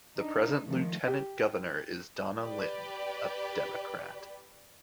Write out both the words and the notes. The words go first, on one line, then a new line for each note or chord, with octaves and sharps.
The present lieutenant governor is Donna Lynne, a Democrat.
D4 D#4
D#3 F3 A3
G4
G4 B4 D5